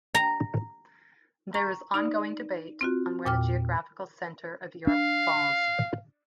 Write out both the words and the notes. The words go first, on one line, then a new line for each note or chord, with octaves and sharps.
There is ongoing debate on where the geographical centre of Europe falls.
A#5
A#5 C#6
D#4 D5
C4 F4 F#4
E2 A#2 G5 D6 F6
D4 F5